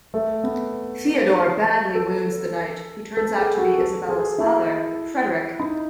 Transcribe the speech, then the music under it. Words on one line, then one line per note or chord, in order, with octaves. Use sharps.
Theodore badly wounds the knight, who turns out to be Isabella's father, Frederic.
A3
B3
A4
A4
G#4
F#4
A4
G#4
E4
D#4